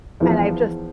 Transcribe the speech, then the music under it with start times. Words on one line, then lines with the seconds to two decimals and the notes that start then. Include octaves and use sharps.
and I've just
0.20 E2 F3